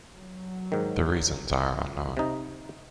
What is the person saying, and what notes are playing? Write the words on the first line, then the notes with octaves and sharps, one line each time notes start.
The reasons are unknown.
F#3
G#2 D#3
C3 D#4